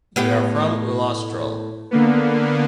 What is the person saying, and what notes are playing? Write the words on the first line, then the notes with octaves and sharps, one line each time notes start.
We are from Ullastrell.
A2 B3 G4
D3 A#3 B3